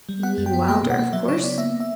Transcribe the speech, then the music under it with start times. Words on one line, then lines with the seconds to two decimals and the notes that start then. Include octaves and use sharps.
You mean Wylder, of course?'
0.09 G3
0.23 B3 F#5
0.38 F#2
0.46 G5
0.53 B3
0.68 A#3 G5
0.83 B2
0.90 F#5
0.98 A#3
1.13 F#3 E5
1.28 C#3 C#5
1.43 B3 D5
1.58 A#3 E5
1.80 E5